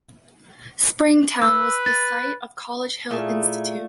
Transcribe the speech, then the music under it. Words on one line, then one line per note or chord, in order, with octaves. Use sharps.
Springtown was the site of College Hill Institute.
B4 E6
A6
A#2 A3 E4 F4 G#4 D5 F5 A5